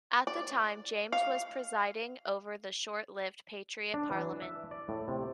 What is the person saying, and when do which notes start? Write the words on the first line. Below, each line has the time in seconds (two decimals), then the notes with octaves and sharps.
At the time James was presiding over the short-lived Patriot Parliament.
0.27 D5
1.12 F5
3.94 D4
4.11 E3
4.42 E5
4.71 D5
4.89 A2
5.08 C3